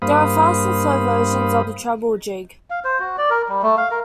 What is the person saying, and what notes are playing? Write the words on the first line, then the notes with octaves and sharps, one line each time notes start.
There are fast and slow versions of the treble jig.
G2 A#3 C5 F5 B5 D#6
F5
C5
F#4
D5
A#4
G3
A3
F5
A#4